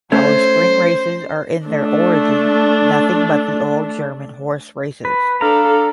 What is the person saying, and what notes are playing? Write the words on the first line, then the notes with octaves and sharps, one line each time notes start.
Our spring races are in their origin nothing but the old German horse-races.
A3 C#4 C5
A3 D4
B4
D4 A4 F5 A#5